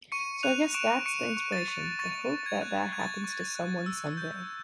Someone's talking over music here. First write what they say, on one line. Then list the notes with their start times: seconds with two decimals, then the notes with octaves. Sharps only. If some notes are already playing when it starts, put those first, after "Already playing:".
So I guess that's the inspiration-the hope that that happens to someone someday.
0.12 C#6 C#7 D#7
0.43 F#6 D#7 F7
0.74 C#6 D7 E7
1.06 C#6 C#7 D#7
1.37 C#6
1.52 A6
1.68 C#6
1.99 C#6 A6
2.30 C#6
2.46 G#6
2.62 F#6
2.92 F#6 G#6
3.00 A6
3.06 G#6
3.24 C#6
3.40 A6
3.55 F#6
3.86 E6
4.17 G6